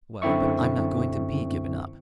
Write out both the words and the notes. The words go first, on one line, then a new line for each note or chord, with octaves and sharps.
"Well, but I'm not going to be given up."
F#2 D3 C4 E4 E5 C#6